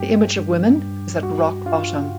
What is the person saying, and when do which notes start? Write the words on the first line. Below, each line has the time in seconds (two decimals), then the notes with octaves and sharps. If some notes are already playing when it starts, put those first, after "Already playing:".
The image of women is at rock bottom.
Already playing: G2 G3 G4
0.36 G2
0.79 G2
1.22 G3 F#4
1.66 G2 F4